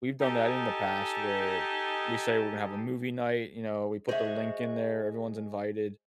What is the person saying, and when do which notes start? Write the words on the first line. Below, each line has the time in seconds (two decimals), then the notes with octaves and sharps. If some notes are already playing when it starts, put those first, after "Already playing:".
we've done that in the past where we say we're gonna have a movie night. You know, we put the link in there, everyone's invited.
0.21 D#4 G4 A4 D#5 G#5 A5
4.09 G#3 F#4 C5 E5